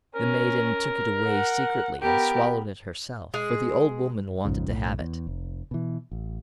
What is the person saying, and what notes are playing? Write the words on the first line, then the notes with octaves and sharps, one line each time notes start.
The Maiden took it away secretly and swallowed it herself, for the Old Woman wanted to have it.
C#4 A#4
F#5
B3 G4 A#4
G#3 G#4
A1 F2 G#2 C#3
B1 A2
E2
F1
B2 E3
A1